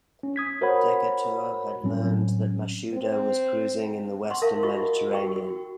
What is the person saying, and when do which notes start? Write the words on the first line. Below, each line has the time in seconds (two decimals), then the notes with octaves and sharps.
Decatur had learned that Mashuda was cruising in the western Mediterranean.
0.23 C#4
0.36 D#6 G#6 B6
0.61 F#4 A#4 C5 C#5 F#5 B5
1.84 A2 F#3 G3 C4 C#4
2.93 C4
4.30 F#5 C6 C#6
4.42 A#4 E5 F5 A5
4.63 F4 F#4 D#5 C#6
5.11 F#4 G5 C#6
5.36 F#4